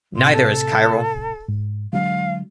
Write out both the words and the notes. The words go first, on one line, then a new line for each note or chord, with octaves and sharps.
Neither is chiral.
A2 C3 C6
A4
G#2
D3 F#3 G#3 F5